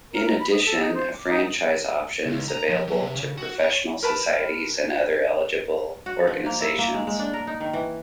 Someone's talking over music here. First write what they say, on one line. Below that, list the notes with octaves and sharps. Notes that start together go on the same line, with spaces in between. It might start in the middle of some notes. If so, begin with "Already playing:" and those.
In addition, a franchise option is available to professional societies and other eligible organizations.
A#4
A#5
B5
D#6
A4
D#4
C5
D6
D#4
C#2
A#5
F3
F#3
C3
C#3
F#4
C#5
A#4 B4 A5
F#4
F3
A#3
E4
A#3
G#3
G#3
D4
A#4
D#4
D#3
E3